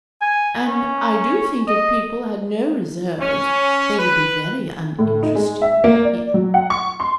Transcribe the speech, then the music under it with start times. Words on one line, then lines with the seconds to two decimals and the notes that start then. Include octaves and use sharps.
'And I do think, if people had no reserves, they would be very uninteresting,' he added.
0.21 G#5
0.67 C#4
1.68 D#5
3.21 C#4
3.99 B4
4.99 A2
5.23 D#4
5.35 G#3
5.62 E5
5.84 A#3
6.03 D5
6.34 F#3
6.54 F#5
6.70 C#6
7.00 C6